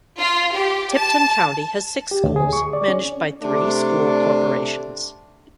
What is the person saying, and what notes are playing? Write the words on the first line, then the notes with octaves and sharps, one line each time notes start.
Tipton County has six schools, managed by three school corporations.
F4
G4
A5
G4
D2
G#4
C#6
D5
C#4
C3 A3 D4